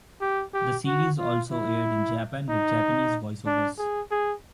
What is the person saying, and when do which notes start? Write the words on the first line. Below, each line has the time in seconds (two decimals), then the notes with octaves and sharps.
The series also aired in Japan with Japanese voice-overs.
0.21 G4
0.54 G4
0.86 F#4
1.18 F4
1.51 E4
2.49 D#4
3.46 D4
3.78 G#4
4.11 G#4